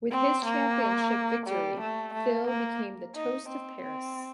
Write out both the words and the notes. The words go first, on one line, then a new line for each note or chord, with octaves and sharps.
With his championship victory, Thil became the toast of Paris.
C4
A#3
G3
A3
A3
A#3
D#4
C4
C4